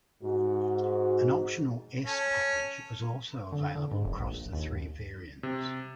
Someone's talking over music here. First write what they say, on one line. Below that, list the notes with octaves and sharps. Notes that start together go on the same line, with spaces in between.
An optional S Package is also available across the three variants.
G#2 F#4
C#4 A4
D3
D3
G#2
F1
A#1
D#2
C3